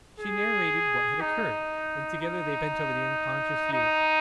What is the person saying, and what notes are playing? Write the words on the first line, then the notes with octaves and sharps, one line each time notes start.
She narrated what had occurred, and together they bent over the unconscious youth.
G#4
D#4
D#4
D#4